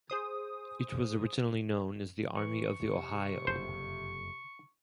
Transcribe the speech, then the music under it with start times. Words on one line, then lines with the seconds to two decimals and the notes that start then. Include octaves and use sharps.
It was originally known as the Army of the Ohio.
0.10 G#4 C5 D#6
2.36 E3 C#6
2.82 C3
3.47 F#1 F2 C5